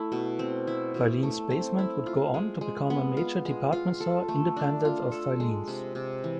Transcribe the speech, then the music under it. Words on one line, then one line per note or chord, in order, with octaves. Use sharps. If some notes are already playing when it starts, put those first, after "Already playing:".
Filene's Basement would go on to become a major department store independent of Filene's.
Already playing: A3 E4
B2
C4
E4
B2
A3
C4
E4
F4
G#3
G#3
B3
F4
G#3
F4
A4
A3
D4
F4
A4
G#3
C3
C3
E3